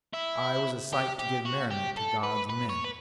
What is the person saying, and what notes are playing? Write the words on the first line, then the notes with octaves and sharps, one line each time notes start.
I was a sight to give merriment to gods and men.
E4
G4
G4
F#4
G4
A4
B4
B4
C#5
B4